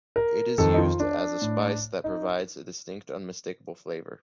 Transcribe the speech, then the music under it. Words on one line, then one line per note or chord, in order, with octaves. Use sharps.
It is used as a spice that provides a distinct, unmistakable flavor.
A#4
F2 D#3 A4
D#4
F4
D4
A2
D#4